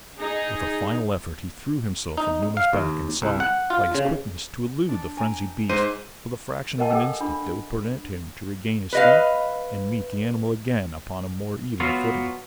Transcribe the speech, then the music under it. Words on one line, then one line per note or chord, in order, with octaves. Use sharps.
With a final effort he threw himself from Numa's back and sought, by his quickness, to elude the frenzied beast for the fraction of an instant that would permit him to regain his feet and meet the animal again upon a more even footing.
D#4 G#4
D#4
F5
D#2
C2
F#5
F4
C#3
D4
G5 G#5 A#5
G#2 C5 D#7
A#4 D#5 F#5 G#5 A5
G#4 A4 F5 G5 E6
D4 B5
B4 D#5 F5
F#3 B3 F4 F#4